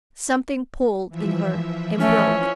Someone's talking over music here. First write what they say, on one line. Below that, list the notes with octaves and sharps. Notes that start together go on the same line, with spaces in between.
Something pulled in her--and broke.
E3 F3 E5
A3 C#4